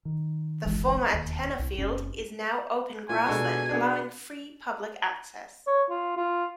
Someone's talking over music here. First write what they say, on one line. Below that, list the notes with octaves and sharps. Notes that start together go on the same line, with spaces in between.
The former antenna field is now open grassland allowing free public access.
D#3
D1 G1 E3 G#3
E1 D#2
C2
F#1 C#4
A#2 E4 G#5
B2 G#3 D4 F#4 A4
B3 D4
C#5
F4
F4